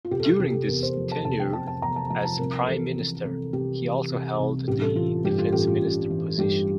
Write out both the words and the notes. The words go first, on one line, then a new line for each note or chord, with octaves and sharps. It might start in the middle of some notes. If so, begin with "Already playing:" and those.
During this tenure as prime Minister, he also held the Defense Minister position.
F4
F1 G4
A4
G4
C3 G4
A4
E2 A#4
C5
F3
A5
F1 A5
G5
C3 A5
A5
E2 A#5
A5
F3 A5
A5
C2 A#4
E3 A4
C3
C2
C2 G4
E3
C3
C2
A1 G4
A4
E3 F4
G2 G4
F4
A1 G4
F4
A1
E3
G2 G4